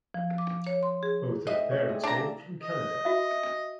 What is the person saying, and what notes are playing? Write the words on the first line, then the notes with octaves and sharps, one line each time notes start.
Both of her parents hailed from Canada.
F3
D6
C#5
C6
G#4
A2 G3 E4 C5 D#5 E5
C#5
C4 G#4 A4 D5
D4 E5 A#5
F5 A5
D#5
F#4 E5